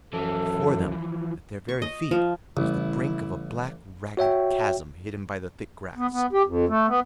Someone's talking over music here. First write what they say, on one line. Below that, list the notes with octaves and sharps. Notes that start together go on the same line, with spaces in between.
Before them, at their very feet, was the brink of a black ragged chasm hidden by the thick grass.
F#2 E3 F3 A4
C#6
D#5
F3
A1 C#3 G3 E4
F#4 C#5 E5 G5
B3
B3
G4
F2
A3
B3